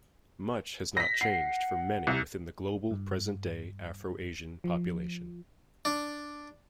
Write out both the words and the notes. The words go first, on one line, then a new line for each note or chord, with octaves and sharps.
Much has not changed for many within the global, present-day, Afro-Asian population.
A#6 B6
F#5 C7
C2
G2
F3
D4